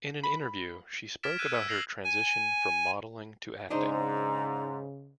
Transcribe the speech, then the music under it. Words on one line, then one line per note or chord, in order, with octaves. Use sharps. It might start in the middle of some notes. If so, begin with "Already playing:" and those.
In an interview, she spoke about her transition from modeling to acting.
B5
F6 G#6 A6 B6 D7 E7
E6 F#6 G#6 D#7 E7
E6 B6
A#6 C7 F7 F#7
G#5
G#2 C#3 D4 D#4 C5 A#5